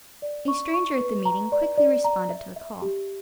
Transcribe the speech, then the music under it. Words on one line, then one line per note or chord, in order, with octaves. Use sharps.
A stranger at the meeting quickly responded to the call.
D5
C#6
C#6
B4
A#5
D5
D5
A#5
E5
E5
G4